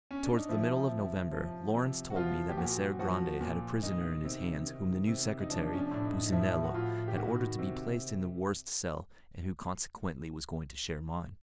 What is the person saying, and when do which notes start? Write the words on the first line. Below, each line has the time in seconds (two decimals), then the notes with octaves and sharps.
Towards the middle of November, Lawrence told me that Messer-Grande had a prisoner in his hands whom the new secretary, Businello, had ordered to be placed in the worst cell, and who consequently was going to share mine.
0.11 C#4
0.23 D4
0.37 D#4
0.49 F3 E4
0.91 C3
1.32 F3
1.74 C3
2.10 F#4
2.15 F3 F4
2.49 G4
2.57 A#2 F#4
2.99 F3 F#4
3.41 A#2
3.83 D#3 D#4
4.25 C3
4.67 D#3
5.07 C3
5.40 D#4
5.50 F3 D4
5.73 C#4
5.78 D4
5.91 A2 D4
6.05 D#4
6.26 D#4
6.32 F3 E4
6.64 F#4
6.74 A2 F4
7.08 G4
7.16 D#3 F#4
7.59 C3